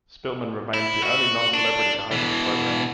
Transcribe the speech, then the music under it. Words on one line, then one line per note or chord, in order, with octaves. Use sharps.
Spillman remains the only non-celebrity to host the program.
E4
F#4
D4
B2 E3